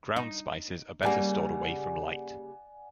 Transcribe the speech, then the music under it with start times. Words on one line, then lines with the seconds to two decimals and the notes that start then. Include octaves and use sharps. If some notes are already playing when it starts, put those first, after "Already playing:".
Ground spices are better stored away from light.
0.16 D#4
1.03 C#3 G3 A#3 D5 F#5 G#5